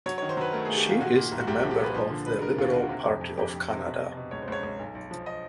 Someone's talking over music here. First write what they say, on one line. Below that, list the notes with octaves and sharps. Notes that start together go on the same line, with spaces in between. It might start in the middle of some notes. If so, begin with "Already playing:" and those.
She is a member of the Liberal Party of Canada.
F#3 C#5
C#5
D#3
C5
F#3 B4
A3 A#4
G#4
A3
G4
D#3 F4
A#2 F#4
A#2
C2
F#4
C2 G4
F#4
F3
G4
A#2 B4
F3 C5
D3
G#3 B4
G#3 A#4
D#2 F4
D3 F#4
C3
F2
F2
F2 G4
F2
C3
B2
B2
B2
C#2 C#5
C5
C#2 C#5
C#2
B1
B1
F3
D#5